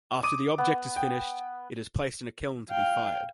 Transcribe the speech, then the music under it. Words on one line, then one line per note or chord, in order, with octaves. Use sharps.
After the object is finished, it is placed in a kiln to be fired.
D6 D#6 D#7
B3
G5
F5 G5